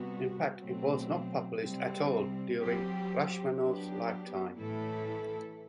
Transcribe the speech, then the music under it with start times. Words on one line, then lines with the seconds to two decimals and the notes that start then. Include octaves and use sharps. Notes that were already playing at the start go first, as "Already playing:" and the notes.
In fact it was not published at all during Rachmaninoff's lifetime.
Already playing: C3 G3 B3 F#4
0.60 B2 F#3 A3 C4
1.60 C3 G3 C4
2.60 F#3 C4 G4
3.58 F#3 B3 D4 G4
4.58 A2 E3 A3 E4 A4